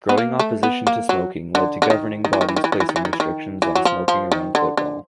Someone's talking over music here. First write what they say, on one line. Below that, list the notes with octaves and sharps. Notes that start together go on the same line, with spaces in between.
Growing opposition to smoking led to governing bodies placing restrictions on smoking around football.
B3
A#3
A3
B3
A#3
F#3
D3
D3
D#3
D#3
E3
D#3
E3
D#3
E3
D#3
E3
D#3
E3
D#3
E3
D#3
E3
F#3
F3
F3
D#3
D3
D3